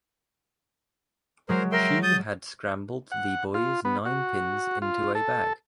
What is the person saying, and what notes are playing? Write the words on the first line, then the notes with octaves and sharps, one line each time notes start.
She had scrambled the boy's nine-pins into a bag.
F#3 G#3 A#4 C5
A#4 E5 G5 C6
D#6 G6 A6
F#5
F4
B3
F#4
F4
A4